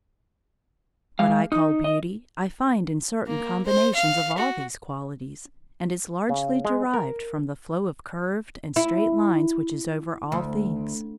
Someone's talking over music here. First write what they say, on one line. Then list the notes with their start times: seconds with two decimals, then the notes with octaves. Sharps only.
What I call beauty I find in certain combinations of all these qualities, and is largely derived from the flow of curved and straight lines which is over all things.
1.19 G#3 F5
1.52 D#4
1.84 D#5
3.27 A#3
3.66 C5
3.95 F5
4.38 F#4
6.29 C#3
6.65 G#3
6.94 A#4
8.76 E4
10.32 D2